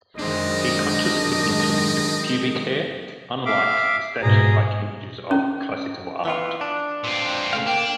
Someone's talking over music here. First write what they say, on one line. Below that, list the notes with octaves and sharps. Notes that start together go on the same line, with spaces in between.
He consciously included pubic hair, unlike the statue-like images of classical art.
F#2 D#3 G#3 C4 D4 C5 D#5
E5 F5 D6
G#2 B2 G#4 A#5
C#4
E3 B3 F4
D4
A#2 C4
C#3 A3 F5
A#3 D4 G5